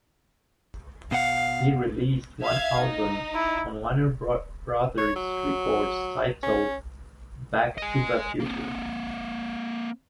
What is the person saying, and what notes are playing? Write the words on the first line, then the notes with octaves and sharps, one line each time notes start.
He released one album on Warner Brothers Records titled "Back Tuva Future".
B2 F5 F#5
E5 F5 G#6
D#4
E4
C#5
F#3
C#4
D#5 G#5
A#3 C4